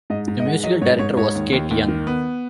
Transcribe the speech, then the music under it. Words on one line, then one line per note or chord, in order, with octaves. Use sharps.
The Musical Director was Kate Young.
G#2 D#5
G#2
D#5
G#3 F#5
F#3 D#5
G#2 C#5
G#2 C#5
G#2 C#5
D#2
D#2
D#2
D#3
B3